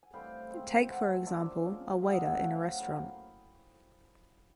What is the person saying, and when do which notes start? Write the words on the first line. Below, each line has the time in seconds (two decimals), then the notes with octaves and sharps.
Take for example, a waiter in a restaurant.
0.03 G#5
0.13 A2 E3 G3 C4 F5 G5
0.50 C3 D#3 G#3 C4
0.63 G#5
0.75 G5
0.88 E3 A3 C4 E5 F#5
1.26 F3 A#3 D4 F4 D5 E5
1.65 F3 G#3 C#4
2.02 A2 F#3 A3 D5 E5
2.11 D#5 F5
2.20 E5 F#5
2.31 F#5 G#5
2.40 F3 A3 C#4 F5 G5
2.55 F5
2.67 F#5
2.77 A2 F#3 A#3 F5 G5